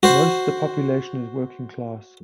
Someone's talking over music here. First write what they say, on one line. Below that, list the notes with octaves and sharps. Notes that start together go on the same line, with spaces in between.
Most of the population is working class.
F#4 C5